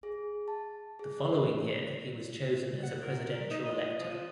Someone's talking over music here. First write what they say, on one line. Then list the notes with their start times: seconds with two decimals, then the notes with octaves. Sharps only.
The following year he was chosen as a Presidential elector.
0.03 G#4
0.48 A5
0.99 G#4
1.26 A#4
2.83 F#5
3.03 A#4
3.25 A#4
3.51 D#4
3.65 D#5
4.00 F3